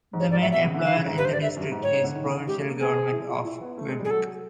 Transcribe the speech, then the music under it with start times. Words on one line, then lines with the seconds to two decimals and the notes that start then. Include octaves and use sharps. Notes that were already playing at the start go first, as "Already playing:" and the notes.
The main employer in the district is the provincial Government of Quebec.
0.13 G#2
0.20 G2 C#5
0.31 G#2 D5
0.41 A2 E5
0.52 B2 E5
0.64 C#3
0.74 D3
0.85 D#3 F5
0.96 C#3
1.07 G#2
1.17 G2 B4
1.25 C5
1.33 D5
1.42 E5
1.56 F#2
1.61 G2
1.72 G#2
1.82 A2 C#5
1.93 G#2
2.04 D3
2.15 D#3
2.26 D3
2.37 D#3
2.47 G#3 G4
2.58 A3
2.69 A#3
2.80 B3 G#4
2.96 C4
3.12 E4
3.29 F4
3.45 E4
3.61 B3
3.78 A3
3.88 G#3
3.99 G3
4.05 G#4
4.10 F#3 A4